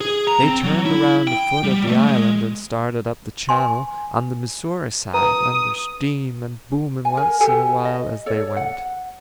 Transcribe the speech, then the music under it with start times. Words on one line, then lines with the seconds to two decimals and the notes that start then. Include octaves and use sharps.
They turned around the foot of the island and started up the channel on the Missouri side, under steam, and booming once in a while as they went.
0.01 G#4
0.28 A#5
0.44 C4
0.64 F#3
0.86 E4
1.27 G5
1.63 G3
1.87 A3
2.05 G#3
3.49 G#5 C6
5.14 B4 A#5 D#6
7.05 G#5
7.17 A#4 G#5
7.40 G4 A4 G#5
7.85 D#5
8.26 A4 C#5 D5
8.57 F#5